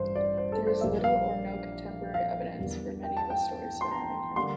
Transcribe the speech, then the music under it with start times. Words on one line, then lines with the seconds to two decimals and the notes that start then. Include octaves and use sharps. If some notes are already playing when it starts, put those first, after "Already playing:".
There is little or no contemporary evidence for many of the stories surrounding him.
Already playing: A1 G2 C5
0.15 D5
0.37 C5
0.52 A4
0.67 C5
0.81 A#1 A#2 G3 A#3 E5
1.04 F5
2.14 F5
2.59 E2 E3 G3 A#3
3.03 G5
3.17 A5
3.30 G5
3.81 C6
3.91 A#5
4.36 D3 G3 A#3 C6